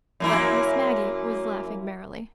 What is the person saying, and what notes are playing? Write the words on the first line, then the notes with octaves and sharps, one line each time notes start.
But Miss Maggie was laughing merrily.
F#2 A#3 E4